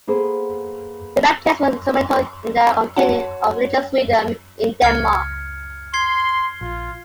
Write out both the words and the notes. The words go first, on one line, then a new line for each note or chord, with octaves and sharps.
The Baptists were instrumental in the obtaining of religious freedom in Denmark.
A#3 B3 G#4 A4 C5
F#4 C#5 F#5 A5
C#2 F6 G#6 C#7
C6 G#6 C7 G7
A#1 F4